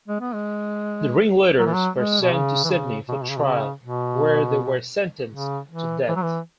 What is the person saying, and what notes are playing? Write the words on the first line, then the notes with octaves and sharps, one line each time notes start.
The ringleaders were sent to Sydney for trial, where they were sentenced to death.
G#3
B3
G#3
F#3
E3
F#3
G#3
B2
C#3
E3
C#3
B2
C#3
B2
C#3
B2
C#3
B2
C#3
E3
E3
F#3
E3